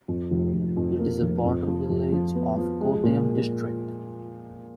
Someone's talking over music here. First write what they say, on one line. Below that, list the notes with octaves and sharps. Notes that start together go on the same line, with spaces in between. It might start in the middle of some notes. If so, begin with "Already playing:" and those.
It is a border village of Kottayam district.
F2
F1
F1
F2
A#3
F1
F2
F3
F2
F3
B3
F3
G#3
A#2